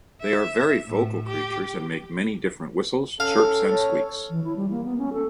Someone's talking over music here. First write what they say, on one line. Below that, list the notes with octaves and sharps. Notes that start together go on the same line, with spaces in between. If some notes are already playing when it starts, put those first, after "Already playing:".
They are very vocal creatures and make many different whistles, chirps, and squeaks.
E5
A2
G4
C#4 A4 F5
C#5
E3
E4
G3
A#3
B3
C#4
A4